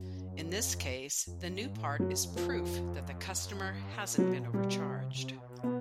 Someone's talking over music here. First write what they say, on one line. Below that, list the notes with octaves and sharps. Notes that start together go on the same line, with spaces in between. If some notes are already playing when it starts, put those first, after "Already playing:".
In this case the new part is "proof" that the customer hasn't been overcharged.
Already playing: F#2
F2
F2
G2
A2
F#2 F#3
F2
F3
E2
F2
F#2
G2
A#2
B2 F#3
A#2
G3
B2
C3
C3
B2
B3